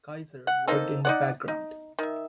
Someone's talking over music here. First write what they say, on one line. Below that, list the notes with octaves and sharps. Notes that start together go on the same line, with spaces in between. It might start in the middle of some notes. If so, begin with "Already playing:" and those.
Keiser worked in the background.
F#5
A#3 C4 D#4 A4
D#4 D5 F#5
D#4
D#3 E5